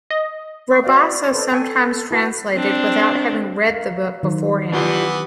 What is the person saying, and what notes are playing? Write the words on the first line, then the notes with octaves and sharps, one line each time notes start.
Rabassa sometimes translated without having read the book beforehand.
D#5
C#6
F#4 D5 F5
A4 B4 C5
A4 G5 G#5 C#6
E4 F#4 B4 A5
C4 D4
A#4 F5
D#3 F#3 C5
E3 B3 D4 F4 G4